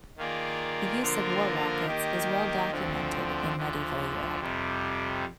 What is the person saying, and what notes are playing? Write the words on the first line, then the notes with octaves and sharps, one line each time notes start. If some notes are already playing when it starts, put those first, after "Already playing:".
The use of war-rockets is well documented in Medieval Europe.
D#3 A#3 F4 G#4 D5
D3 F3 A#3 F4 A#4
D#3 A#3 D#4 G4
D2 D3 F3 C4
D2 D3 F3
F2 C3 G3